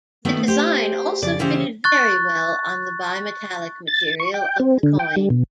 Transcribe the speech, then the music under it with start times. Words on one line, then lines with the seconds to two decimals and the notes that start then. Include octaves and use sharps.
The design also fitted very well on the bimetallic material of the coin.
0.25 D#3 A3 B3 F#4
0.48 G4 C5
1.22 F2 C#3 D5
1.39 D2 C#3 E3 G4 C5
1.84 C#6 F#6 A6
3.87 A6
4.20 C#6
4.34 G5
4.60 C4
4.83 D3
4.99 G5
5.16 G3
5.30 B2